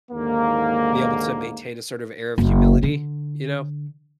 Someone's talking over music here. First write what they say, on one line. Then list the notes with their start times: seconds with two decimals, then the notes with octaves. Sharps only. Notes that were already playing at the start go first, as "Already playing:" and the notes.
be able to maintain a sort of air of humility, you know,
0.11 D#2 G#2 D3 A#3
2.38 F#1
2.83 D3